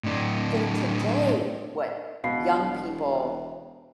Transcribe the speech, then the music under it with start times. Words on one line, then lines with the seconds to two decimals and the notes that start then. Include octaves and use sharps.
think today what young people
0.04 A2 D4
2.24 E1 B2 F5 C7